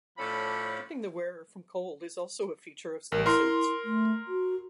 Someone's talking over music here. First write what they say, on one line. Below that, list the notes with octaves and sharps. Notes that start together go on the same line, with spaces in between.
Protecting the wearer from cold is also a feature of ski suits.
A2 F3 C#4 A4 D5 B5
A1 A#4
E4 A#4 C6
A3
F#4